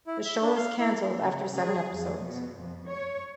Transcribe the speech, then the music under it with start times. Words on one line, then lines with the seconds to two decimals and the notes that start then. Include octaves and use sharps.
The show was canceled after seven episodes.
0.07 E4
0.25 E5
0.41 D4
0.56 F5
0.79 E4
1.20 C#3
1.57 G#4
1.93 F2
2.24 B2
2.56 F2
2.87 C#5